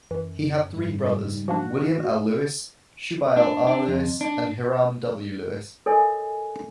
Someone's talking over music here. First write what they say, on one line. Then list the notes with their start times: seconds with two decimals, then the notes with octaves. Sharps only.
He had three brothers, William L. Lewis, Shubael R. Lewis, and Hiram W Lewis.
0.11 F#2 E3
0.66 G#2 C#3 G3
1.48 F3 A#3 D4 F#4
3.37 D4
3.67 D4
3.88 F2
4.21 D4
5.86 A4 A#4 C#5 D#5 G#5